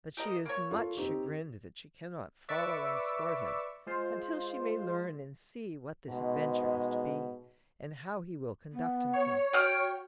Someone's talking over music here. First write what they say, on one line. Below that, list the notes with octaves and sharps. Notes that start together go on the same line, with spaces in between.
But she is much chagrined that she cannot follow and escort him, until she may learn and see what this adventure is to be, and how he will conduct himself.
G4 A#4 D#5
A#3 C#5
F4 A4
C4 D#4 G4
B4 D5 E5 C#6 D6 E6
G#3 F4 C5
G#2 B2 G#3
B3
C#5
F#4 G5 F6